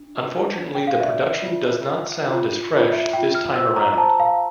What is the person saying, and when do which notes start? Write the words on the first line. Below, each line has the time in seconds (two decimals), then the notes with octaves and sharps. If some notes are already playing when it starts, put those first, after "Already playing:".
Unfortunately the production does not sound as fresh this time around.
Already playing: D4
0.15 F4
0.57 D4
0.75 G5
0.87 F5
1.00 D5 E5
1.42 F4
1.85 A#4
2.27 F4
2.71 F4
2.92 E5
3.13 F4 G5
3.35 F6
3.56 C5 E6
3.76 A#5
3.94 A#5
3.98 C5 A5
4.20 F5